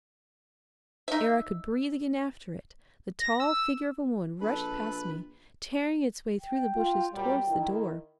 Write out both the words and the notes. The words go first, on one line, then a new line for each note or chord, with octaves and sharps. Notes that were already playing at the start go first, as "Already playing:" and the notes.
Ere I could breathe again after it, the tall figure of a woman rushed past me, tearing its way through the bushes towards the door.
D#4 E5
A#6
E6
A#1 A4 B4 B5
G5
F4
A#2 F#3 G3
D#3 E4